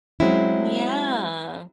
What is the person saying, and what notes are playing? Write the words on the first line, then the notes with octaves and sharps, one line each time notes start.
N yeah.
F#3 G#3 C4 C#4 E4